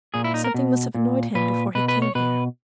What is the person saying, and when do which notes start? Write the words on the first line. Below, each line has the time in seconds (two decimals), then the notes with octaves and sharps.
Something must have annoyed him before he came here.'
0.14 A#2 G#4
0.24 E4
0.34 D#4
0.44 A#4
0.54 B2
0.95 A#2
1.35 A#2 B4
1.75 B2 B4
1.88 B4
2.02 C#5
2.15 B2 B4